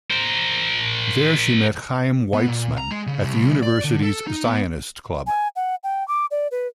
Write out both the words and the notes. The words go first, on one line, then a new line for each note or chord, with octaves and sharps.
There she met Chaim Weizmann at the University's Zionist Club.
A#4 C5
B3
A#2
A#5
G#3
C#3
C2
D5
D3
A4
D#4
B3
G#5
F#5
G5
D6
D5
B4